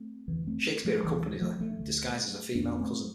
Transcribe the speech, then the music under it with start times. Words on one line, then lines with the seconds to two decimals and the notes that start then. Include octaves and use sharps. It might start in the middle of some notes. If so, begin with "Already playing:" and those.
Shakespeare accompanies her, disguised as her female cousin.
Already playing: A3 C4
0.28 E2 D3 E3
0.47 A3 C4
0.85 F3 A3
1.04 D2 D3 E3 G3
1.41 F3 A3
1.60 F3 A3
1.80 D2 D3
2.55 F2 D3 B3 D4
2.80 A3 C4